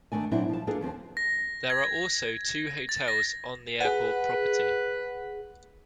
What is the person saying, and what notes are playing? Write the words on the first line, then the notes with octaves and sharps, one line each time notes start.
There are also two hotels on the airport property.
D#3 A3 D4 G#5
A#2 F#3 C4 D4 E4
F3 A5
A#3 D4 F4 G#4 A4 B4
D#2 F3 C4
A#6
G#6
A6
A#6
G#4 B4 F#5